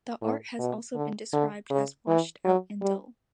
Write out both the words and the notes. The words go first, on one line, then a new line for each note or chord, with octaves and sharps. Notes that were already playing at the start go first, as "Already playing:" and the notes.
The art has also been described as "washed out and dull".
A2
B2
D3
D3
C#3
E3
F#3
G3